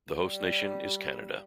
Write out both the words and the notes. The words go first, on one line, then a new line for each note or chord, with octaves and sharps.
The host nation is Canada.
G3